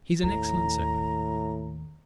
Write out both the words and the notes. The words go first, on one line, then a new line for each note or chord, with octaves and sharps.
He's an excellent servant.
D#2 A2 A#5